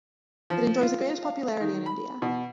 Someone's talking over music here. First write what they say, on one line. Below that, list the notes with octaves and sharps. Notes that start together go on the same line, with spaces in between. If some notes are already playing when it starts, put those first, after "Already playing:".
It enjoys the greatest popularity in India.
F3
F4
F5
D#3
B5
B2